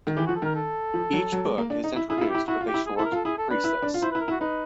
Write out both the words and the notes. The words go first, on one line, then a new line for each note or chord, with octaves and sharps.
Each book is introduced with a short precis.
D#3
E3 G4
F3 F#4
A4
D#3 A#4
A4
F3
F#3
F#3
G#3
A#3
D4
D#4
E4
E4 G#4
F4
E4
G4
E4
E4 F#4
F4
G4
E4
G#4
A4
E4
A#4
F4
A4
E4 G#4
A4
D4 B4
E4
D4
F4
E4 C5
B4
E4
A#4
E4
F#4
D#4 B4